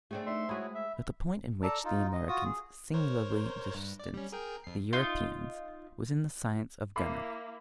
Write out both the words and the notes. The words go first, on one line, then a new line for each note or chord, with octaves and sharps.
But the point in which the Americans singularly distanced the Europeans was in the science of gunnery.
A3 C4 D4 G#4
D#4 D5 E5 C6
G#3 E4 F#4 G#4 C#5 B5
E5
A4 D5 A5 A#5
D#4 F4
D#5
F4 F#4 D#6
G#4
A#4 C5 C#5
G2
D5
G3 C#4
G#4 A#4 G5
F2 C7
D#4 F4
A#3 E4 B5 D6 C7